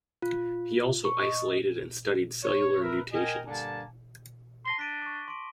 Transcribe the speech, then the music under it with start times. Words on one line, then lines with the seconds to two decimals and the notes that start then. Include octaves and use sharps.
He also isolated and studied cellular mutations.
0.22 F4
1.05 C#6
1.22 D#5
2.43 C#5
2.81 A#4 B4 E5
3.13 A#4 D#5 G5 G#5
3.46 G2 D3 A#3 G#5 A5
4.65 A5 C6 A#6 G7
4.79 D4 B6 D7 D#7
5.02 C#6 D6
5.28 C6 D6 D7